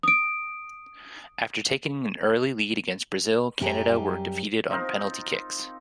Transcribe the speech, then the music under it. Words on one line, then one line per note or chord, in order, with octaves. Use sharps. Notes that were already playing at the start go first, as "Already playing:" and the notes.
After taking an early lead against Brazil, Canada were defeated on penalty kicks.
D#6 D7
F#2 G3 G4 G#4 A#5
C4 D#4 F4 A#4